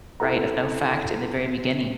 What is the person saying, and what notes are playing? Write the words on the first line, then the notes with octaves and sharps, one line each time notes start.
right, of no fact in the very beginning,
E4 A4 C5 E5 F#5 A#5